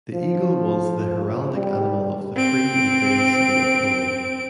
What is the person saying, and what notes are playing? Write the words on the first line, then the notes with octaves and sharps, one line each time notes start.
The eagle was the heraldic animal of the Free Imperial City of Ulm.
F3
G3
C4 D7